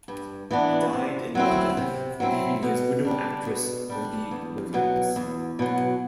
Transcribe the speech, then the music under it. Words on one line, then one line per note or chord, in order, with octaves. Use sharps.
He died in London leaving his widow actress Wendy Williams.
G2
E3 B3 D4
C3
F#3 C4 E4
C3
F#3 C4 E4
B2
G3 D4
B2
G3 D4
E2
B2 F#3
E2
B2 F#3